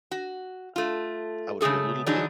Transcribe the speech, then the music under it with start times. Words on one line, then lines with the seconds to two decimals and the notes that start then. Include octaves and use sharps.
I would be a little bit
0.11 F#4
0.76 A3 F4
1.61 C#3 G#3 A3 G#4 A4
2.06 D3 E3 F#3 D4 D#4 G#4